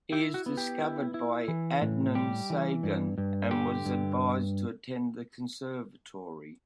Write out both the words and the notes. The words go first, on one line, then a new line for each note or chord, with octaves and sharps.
He is discovered by Adnan Saygun and was advised to attend the conservatory.
E4 G4
F#4
B3
G4
E4
E4
E3
A2
G3 G4
E3
G2
G2
D3 G4
G2